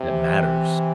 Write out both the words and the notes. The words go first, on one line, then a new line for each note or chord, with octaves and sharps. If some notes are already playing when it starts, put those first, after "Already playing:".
that matters.
Already playing: C3
E3